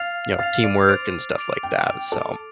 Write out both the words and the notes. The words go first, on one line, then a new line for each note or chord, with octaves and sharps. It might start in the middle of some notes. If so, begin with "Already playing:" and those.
you know, teamwork and stuff like that, so,
Already playing: F5 F6 A6 C7 F7
F5 F6 A6 C7 F7
D5
C5 D6 A6 D7 F7
D6 A6 D7 F7
G5
G5 D6 A6 D7 F7
A4